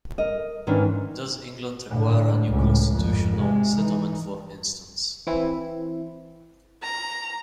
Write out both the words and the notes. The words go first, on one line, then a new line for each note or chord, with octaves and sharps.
Does England require a new constitutional settlement for instance?
A#4 D#5
G#2 D#3 E3 C#4 D4
A2 D3
C#2 A2
G#1 F2
C3 G#3
E3 D#4
E3 C4 E4
A#5